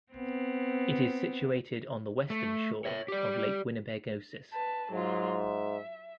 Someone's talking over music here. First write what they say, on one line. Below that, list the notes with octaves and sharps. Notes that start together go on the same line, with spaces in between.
It is situated on the western shore of Lake Winnipegosis.
B3 C4
A3
C#5 E5
G4 D5
B4 A5
G#2 F#3 F4
E5